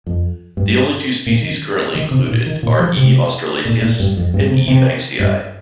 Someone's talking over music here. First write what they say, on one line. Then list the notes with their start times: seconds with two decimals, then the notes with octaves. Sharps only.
The only two species currently included are "E. australasius" and "E. banksii".
0.06 F2
0.57 G2
1.26 A#2
1.42 D#3
1.95 D#3
2.11 C3
2.28 A#2
2.46 D#3
2.63 A#2
2.80 F3
2.97 C3
3.65 A#2
3.82 A#2
4.00 G2
4.17 F2
4.34 G2
4.51 C3
4.68 C3
5.20 G2